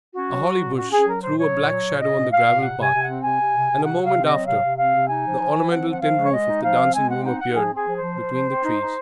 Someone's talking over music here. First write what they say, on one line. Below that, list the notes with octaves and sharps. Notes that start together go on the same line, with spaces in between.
A holly bush threw a black shadow on the gravel path and a moment after the ornamental tin roof of the dancing room appeared between the trees.
C#4 F#4
F#3
F#3
A#2
C#4 F#4
C#4 G#4
F#3 A#4
A#2 C5
F#3 C#5
A#2
F#3
A#2
C#4 D#5
A#2
A#2 F5
A#2
C3 F#5
C3 G#5
C3
F#5
C4
C3 G#5
C3
C3
C3
F#3 F#5
C3
F5
C4
D#5
F#3
C3 F5
C3
C4 F5
C3
D#4 G#5
F3
F3
F3
C4 F#5
F3
F#5
F3 F5
G#3
C#5
G#3 D#5
D#4
F3 F5
C4
G#3 G#5
C4 F#5
D#4 F#5
D#4 F#5
F3 G#4
C4 G#4
F3
C5
F3
F3
F3
C4
D#4
D#4